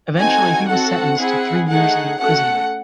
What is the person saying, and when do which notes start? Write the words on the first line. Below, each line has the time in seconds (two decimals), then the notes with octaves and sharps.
Eventually he was sentenced to three years of imprisonment.
0.18 C4 D#4 F#4 A4 G#5
0.68 C4 F#4 A4 F#5
1.18 C4 E4 G#4
1.68 A3 D#4 G#4 F#5
2.19 A3 C#4 F#4 A4 F#5